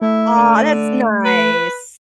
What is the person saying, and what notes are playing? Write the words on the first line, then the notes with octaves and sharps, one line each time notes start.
Aw, that's nice.
A3 E4
D3
B4